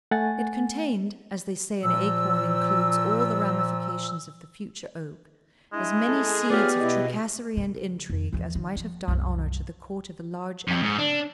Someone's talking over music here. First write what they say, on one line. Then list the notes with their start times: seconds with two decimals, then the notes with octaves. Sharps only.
It contained, as they say an acorn includes all the ramifications of the future oak, as many seeds of tracasserie and intrigue as might have done honour to the court of a large empire.
0.11 A3 F#5 G#5 A6
1.82 A#2 F3 E6
5.73 G#3 D4 E4 G#5
6.08 E4 G#4 A4
6.50 B3 F4 G4 C#5 D5 F6
6.79 B2 E4 D#5
7.57 C#3
8.10 F2
8.33 E2 F3
8.55 D#3
8.76 F3
9.08 C2 F#2
10.68 F2
10.83 G#2
10.99 D4